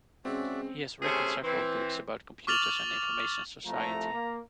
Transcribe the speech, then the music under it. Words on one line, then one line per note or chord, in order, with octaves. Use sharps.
He has written several books about computers and information society.
E2 G#2 C#3 C4 C#4 F#4 D5 E5
C3 A3 C#4 G#4 C5 E5
E3 C4
C#6 D6 F6 A6 F7 F#7
C2 F3 A3 A#5
A#3